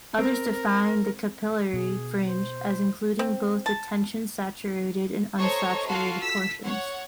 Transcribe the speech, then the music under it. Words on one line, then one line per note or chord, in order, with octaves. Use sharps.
Others define the capillary fringe as including both the tension-saturated and unsaturated portions.
C4 A#4
B2 G#4
C5
C4
A5
A4 C5 C#5 D#5 A#5 C#6
F4 F#4 A4 F5 C6
E6 B6
C#5 F#5